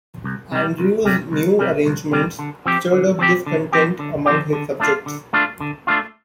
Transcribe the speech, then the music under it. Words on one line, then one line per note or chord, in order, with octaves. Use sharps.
Andrew's "new arrangements" stirred up discontent among his subjects.
C2
C3 G3
C2
C3 G3
C2
C3 G3
C2
C3 G3
D3
F3 C4 G4
D3
F3 C4 G4
D3
F3 C4 G4
D3
F3 C4 G4
D3
A3 D4 F4
D3
A3 D4 F4
D3
A3 D4 F4